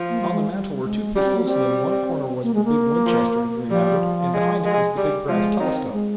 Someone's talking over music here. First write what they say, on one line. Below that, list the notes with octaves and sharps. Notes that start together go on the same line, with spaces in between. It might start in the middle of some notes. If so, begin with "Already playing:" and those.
On the mantel were two pistols and in one corner was the big Winchester he remembered and behind it was the big brass telescope.
Already playing: F3
A#3
G3
G#3
G3
G#3
G3 C#4
C4
A#3
G3 C4
A#3
G#3
A#3
F3
F3 G3
G#3
G#3
G3
F3 G#3
D#3 C4
G#3